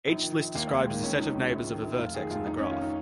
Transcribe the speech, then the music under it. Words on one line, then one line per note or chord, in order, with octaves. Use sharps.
Each list describes the set of neighbors of a vertex in the graph.
A#1 D#4
D#3
A#1
D#2 A#3
D#2 A#3
G#3
D#3 A#3
C#2 C#4
C#2 D#4
C#3
A#1
D#3
A#1
F1 F4
D#3 G#4
F1 F4
F1 D#4
D#3 C#4
F4
D#4